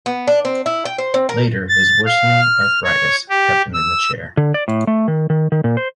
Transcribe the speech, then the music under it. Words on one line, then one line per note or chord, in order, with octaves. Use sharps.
Later, his worsening arthritis kept him in the chair.
B3
D4
C4
E4
G5
C5
C4
A#4
A6
F5
F6
C#5
G4
E6
D3
D5
A2
A3
D#3
D#3
D#3
A#2
C5